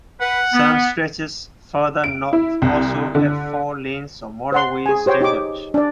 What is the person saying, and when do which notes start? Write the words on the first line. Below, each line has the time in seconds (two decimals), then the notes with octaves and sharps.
Some stretches further north also have four lanes or motorway standard.
0.21 B4 F#5
0.53 B3
2.04 D7
2.33 E4
2.62 C2
3.15 D3
4.52 C5 F#5 C6
4.86 G#4 G#5
5.06 G4 C5 C#5 G5
5.21 D#4 G4 G5 D6
5.74 D4 D5